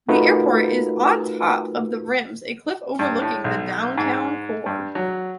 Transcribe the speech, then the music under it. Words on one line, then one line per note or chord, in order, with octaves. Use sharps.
The airport is on top of the Rims, a cliff overlooking the downtown core.
A3 D#4 F4 F#4 A#4 B4
G2
A2
B1
G#2
G2
F#3